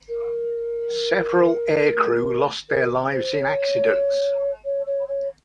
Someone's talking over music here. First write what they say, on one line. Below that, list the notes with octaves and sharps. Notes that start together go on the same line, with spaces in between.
Several air crew lost their lives in accidents.
A#4
A#4
C5
C#5
C#5
C#5
C#5